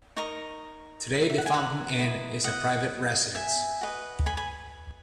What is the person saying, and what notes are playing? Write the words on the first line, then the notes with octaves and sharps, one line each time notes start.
Today, the Fountain Inn is a private residence.
D#4 A#4 D#5 A#5 C#6
E5
F#5
G#5
F#5 A#5
E4 B4 D#5
D#5 F#5
E5 G#5
F#4 B4 D#5
G#5 B5
G#5 B5